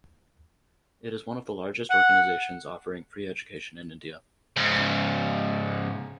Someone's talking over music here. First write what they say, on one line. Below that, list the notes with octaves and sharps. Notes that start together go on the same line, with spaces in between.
It is one of the largest organisations offering free education in India.
F#5
G#2 C#3